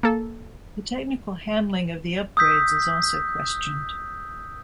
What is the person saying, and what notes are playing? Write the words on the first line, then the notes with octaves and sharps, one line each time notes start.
The technical handling of the upgrades is also questioned.
A#3 A4
D#6 E6 G6 B6